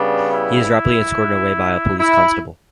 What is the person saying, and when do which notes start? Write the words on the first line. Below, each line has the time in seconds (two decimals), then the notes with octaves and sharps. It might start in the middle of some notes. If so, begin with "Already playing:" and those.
He is rapidly escorted away by a police constable.
Already playing: C#3 G3 B3 D4
0.32 E4
1.99 E4